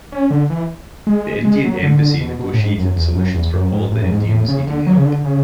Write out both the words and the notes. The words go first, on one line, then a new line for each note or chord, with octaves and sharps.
The Indian Embassy negotiated solutions for all the Indians needing help.
C#4
D3
E3
G#3
G#3
F#3
D3
D3
B2
B2
A2
G#2
F#2
E2
F#2
E2
F#2
G#2
A2
F#2
G#2
A2
C#3
D3
F#3
C#3
D3
C#3